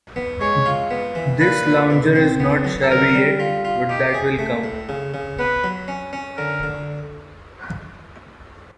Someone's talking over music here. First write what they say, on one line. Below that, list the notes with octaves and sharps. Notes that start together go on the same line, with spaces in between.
This lounger is not shabby yet, but that will come.
B3
G#3 C#5
F4
B3
E3
A#2 B4
A#2
B2
C4
B3
F#3
A4
D3 A#4
G3
F4
F4
D#4 G4
G#4
A3
A2
C#3
C#3
B3 B4
F#3
C#4
C#4
D3 A#4
D3